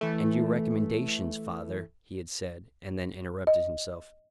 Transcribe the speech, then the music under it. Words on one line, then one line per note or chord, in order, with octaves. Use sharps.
"And your recommendations, father---" he had said, and then interrupted himself.
E3 A3
D#5